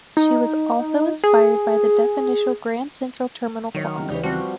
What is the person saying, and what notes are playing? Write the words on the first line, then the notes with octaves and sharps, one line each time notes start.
She was also inspired by the definitional Grand Central Terminal clock.
D#4
G#4
D#3 F#3 C#5
C2 C#3 F6
D#2 C#3 E3 D#4 G4 B4 C#5 D5
F3 G3 C4 F#4